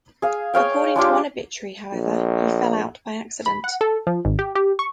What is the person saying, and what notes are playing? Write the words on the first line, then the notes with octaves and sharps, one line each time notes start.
According to one obituary, however, he fell out by accident.
G#4 F5
G#4 C#5 F5 G5
G#3 D4 F4 G4
A#1
B5
F#5
A4
F3
G#1
G4
G4
C#6